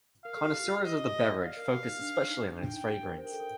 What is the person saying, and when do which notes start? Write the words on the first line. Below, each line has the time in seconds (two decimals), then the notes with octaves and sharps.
Connoisseurs of the beverage focus especially on its fragrance.
0.25 A#4 F5
0.37 A4
0.45 G4
0.59 G4
0.64 F4
0.83 G4 D#5
1.42 D5 F5
1.57 A#4
1.71 G4
1.86 D#4
2.00 D4
2.30 D#4
2.59 D4 G5
2.74 D#4
2.89 G4
3.03 A#4
3.18 C5 G5
3.25 A#4
3.33 A4
3.40 A#4